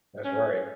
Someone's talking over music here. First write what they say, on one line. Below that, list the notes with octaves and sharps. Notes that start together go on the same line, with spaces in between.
That's right.
C#4